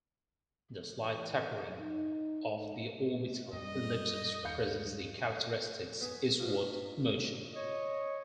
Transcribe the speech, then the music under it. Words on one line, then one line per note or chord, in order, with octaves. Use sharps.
The slight tapering of the orbital ellipses represents the characteristic eastward motion.
E3
D#4
F#2 G3 D#5
D#2 F5 G6 C#7
B3 G#4
B2 F3
C#5 D#5